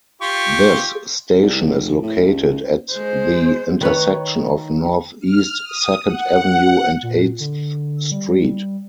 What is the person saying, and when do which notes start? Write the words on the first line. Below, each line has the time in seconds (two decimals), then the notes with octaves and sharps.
This station is located at the intersection of Northeast Second Avenue and Eighth Street.
0.21 F4 G4 C#6
1.43 C2
1.67 F1
2.03 A2
2.21 C#2
2.92 G#3 C5
3.81 D#3 B4 C#5
5.20 F6
5.62 D#6
6.04 F#5
7.03 A#2
7.40 D3
8.12 G3